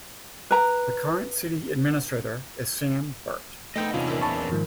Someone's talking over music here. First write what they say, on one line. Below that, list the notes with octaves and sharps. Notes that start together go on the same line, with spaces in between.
The current City Administrator is Sam Burt.
B4 A#5
A3 B3 C4 D#4 D#5 G5 G6
E2 C3 C#4 D4 F4 G#5
A#2 E4
A5 B5 C#6
G#2 D#3 F3